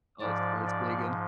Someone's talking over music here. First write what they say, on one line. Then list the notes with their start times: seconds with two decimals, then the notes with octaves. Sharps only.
Oh, starts digging.
0.21 G#2 F3 D5
0.67 D5